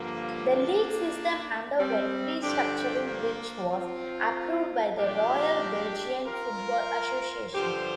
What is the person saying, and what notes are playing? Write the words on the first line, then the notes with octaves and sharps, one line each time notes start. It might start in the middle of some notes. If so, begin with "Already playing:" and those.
The league system underwent restructuring which was approved by the Royal Belgian Football Association.
Already playing: G2 D3 F3 A#3
A#3 D4
G3 C4
G2 D3 F3 D4 G4
A#3 D4
C4 F4
A#2 F3 D4 G4
F4 A#4
G2 D3 F3 G4 C5